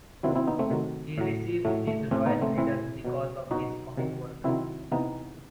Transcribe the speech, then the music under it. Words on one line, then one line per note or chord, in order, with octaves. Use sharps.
He received this royal medal because of his comic work.
C3 D#3 F#3 C4 E4
C4 E4
B3 D#4
A3 C4
C3 D#3 F#3
A2 F#3
A2 F#3 A3
A3
A2 E3 A3 C4
B3 D#4
A3 C4
A2 E3 C4 E4
B2 F#3
B2 F#3 D#4 F#4
C3 D#3 F#3
C3 D#3 F#3 C4 E4
C3 E3 B3 D#4